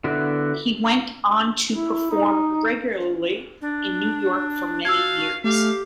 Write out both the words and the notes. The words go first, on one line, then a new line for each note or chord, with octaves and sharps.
He went on to perform regularly in New York for many years.
D3 B3 E4 F#4 D5
E4
D#4
D4
F#4 F5 A5 E6 G#6
A3 G4 F5